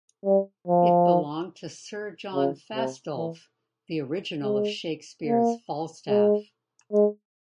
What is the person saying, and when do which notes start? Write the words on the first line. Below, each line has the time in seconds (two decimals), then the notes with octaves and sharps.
It belonged to Sir John Fastolf, the original of Shakespeare's Falstaff.
0.25 G3
0.67 F3
2.34 C#3
2.75 C3
3.17 E3
4.43 G#3
5.26 A#3
6.09 G#3
6.93 G#3